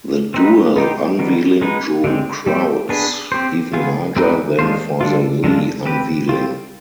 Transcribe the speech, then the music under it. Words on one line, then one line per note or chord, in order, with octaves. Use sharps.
The dual unveiling drew crowds even larger than for the Lee unveiling.
C4 D#4 B4
B3 D#4 G4 C5
D#3 G3 B3
G#3 B3 D#4 B4
D3 G#3 C4
G3 C4 G4 C5
B3 D4 G#4 B4
C4 G4 C5
B3 F4 G#4
G#3 C4 D#4 G4 B4
G#3 D4 F4 C5
D3 G3 D4 F4
D3 G#3 D4 F4
C4 G4 B4
G3 C4 F4